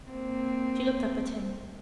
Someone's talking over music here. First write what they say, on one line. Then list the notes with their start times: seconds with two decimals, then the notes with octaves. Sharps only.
She looked up at him.
0.11 A#3 C4